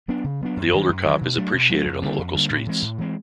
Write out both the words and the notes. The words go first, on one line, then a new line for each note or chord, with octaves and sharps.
The older cop is appreciated on the local streets.
F#3 B3 D4
C#3
F#3 B3 D4
F#2
D#3 F#3
F#2
D#3 F#3
B2
F#3 A3 D4
B2
F#3 A3 D4
F2
D3 G3 A#3
F2
D3 G3 A#3
A2
E3 G#3 C4
A2
E3 G#3 C4